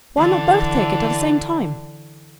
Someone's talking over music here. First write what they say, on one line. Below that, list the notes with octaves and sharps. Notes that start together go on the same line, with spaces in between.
"Why not both take it at the same time?"
D3 E3